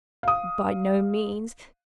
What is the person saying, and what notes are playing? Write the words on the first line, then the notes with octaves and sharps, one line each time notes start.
'By no means.
F5 D#6